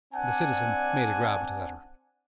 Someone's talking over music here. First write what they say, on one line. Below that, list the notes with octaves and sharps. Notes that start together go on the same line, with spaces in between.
The citizen made a grab at the letter.
C4 D4 D5 F#5 G#5 A5